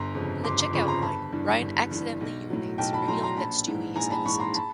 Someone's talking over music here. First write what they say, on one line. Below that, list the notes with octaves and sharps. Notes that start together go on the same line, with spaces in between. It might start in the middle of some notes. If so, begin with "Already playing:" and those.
In the checkout line, Brian accidentally urinates, revealing that Stewie is innocent.
Already playing: G1 A#5 C6
F2 C#3 F3
G1 C6 D6
C6 D6
F2 C#3 F3 B5 C#6
A#5 C6
G1 A5 B5
G2 E3
G1
G2 E3
B1
A2 F#3
B1 G5 A5
A5 B5
A2 F#3 A#5 C6
A#5 C6
A#1 A5 B5
G#2 E3
A#1 G#5 A#5
A5 B5
G#2 E3 B5 C#6
A#5 C6
A5 B5